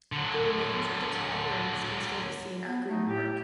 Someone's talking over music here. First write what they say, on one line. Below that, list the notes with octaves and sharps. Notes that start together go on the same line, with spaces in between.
The remains of the tile rings can still be seen at Green Park.
D3 F#3
B3
A3 D#4
A2 G4